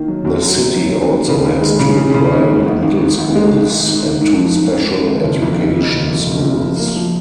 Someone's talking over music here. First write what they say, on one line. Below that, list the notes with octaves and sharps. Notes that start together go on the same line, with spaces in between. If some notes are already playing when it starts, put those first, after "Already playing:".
The city also has two private middle schools and two special education schools.
Already playing: D#3 A#3
F#3
F#2
F#2
F#2
F#3
D#3
D#2
C#3
D#2
G#3
C#3
C#3
C#3
D#2
G#2
G#1
G#1
G#2
G#1
G#3
G#2
G#1
G#2
G#2
G#2
F3
G#2
G#2
G#2
G#1
F#1
F2
D#3
D#3
F#1
F2
F#1
F#1
F3
A#3
F3